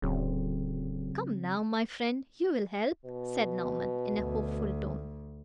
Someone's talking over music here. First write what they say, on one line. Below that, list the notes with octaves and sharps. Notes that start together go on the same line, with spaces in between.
"Come now, my friend--you will help?" said Naumann, in a hopeful tone.
D1 C#3 F#3 C4
B2
D2